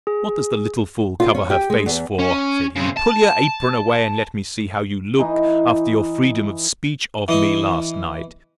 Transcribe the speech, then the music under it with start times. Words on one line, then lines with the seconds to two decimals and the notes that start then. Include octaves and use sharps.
What does the little fool cover her face for? said he: Pull your apron away; and let me see how you look, after your freedom of speech of me last night.
0.07 G#4
1.20 F4
1.35 C#4
1.50 G4
1.70 G#3
1.86 E2
2.20 C#4
2.76 C#3 C4
2.97 A5
5.19 E3 D#4
7.28 E3 D#5 C#6